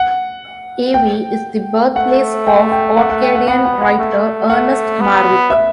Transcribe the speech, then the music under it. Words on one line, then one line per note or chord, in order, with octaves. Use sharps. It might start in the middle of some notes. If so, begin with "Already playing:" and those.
Evie is the birthplace of Orcadian writer Ernest Marwick.
Already playing: F#5
G5
A3 F#5
G5
G5
F#5
F#5
G5
F#5
B3 F#5
F#5
F#5
A3
A3 F#5
B3
E5